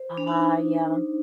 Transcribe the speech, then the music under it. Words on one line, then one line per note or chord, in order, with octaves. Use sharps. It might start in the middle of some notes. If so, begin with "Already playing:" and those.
Ah, yeah.
Already playing: C5
D4
D#4